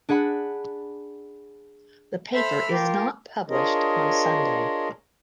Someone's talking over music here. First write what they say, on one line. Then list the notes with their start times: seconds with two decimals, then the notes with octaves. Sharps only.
The paper is not published on Sunday.
0.09 D4 G#4 F#5 B5
2.33 A4 C5 E5 B5 E6 F6
2.68 F4 G4 A#4
3.50 D4 F4 G#4 A#4 C#5 D#5